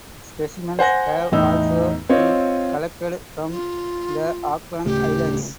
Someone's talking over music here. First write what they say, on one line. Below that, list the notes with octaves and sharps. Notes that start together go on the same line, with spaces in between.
Specimens have also been collected from the Auckland Islands.
C5 F#5 G#5 A#6
E2 A2 D#4 E6
C4 F4 C#5 D#5
F4
D1 C#3 A3 G4